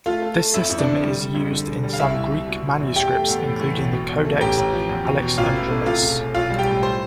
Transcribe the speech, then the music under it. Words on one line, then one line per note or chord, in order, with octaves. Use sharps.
This system is used in some Greek manuscripts including the Codex Alexandrinus.
A3 F4 F5
A3
A3
F2 E4 E5
F2
D4 D5
D3
G3
G3
F2
D3
E1
G3
F5
C2 E4 E5
C2
C2
B2
B2
E2
E2 G4 G5
A3
E2
A2
E3
B1
B2
E2
A3
A1 G4 G5
A1
F3
E2
B2
B2
A1 F4 F5
A2
A3
C3 F4 F5
E1
E1
B1 F4 F5
G3
G4 G5
A2
C5 C6